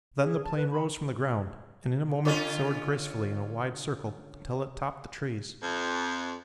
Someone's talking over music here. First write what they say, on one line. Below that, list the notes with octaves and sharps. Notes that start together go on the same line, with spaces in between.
Then the plane rose from the ground and in a moment soared gracefully in a wide circle until it topped the trees.
G#4
A5
B4
B5
D3 C#4 F4
F2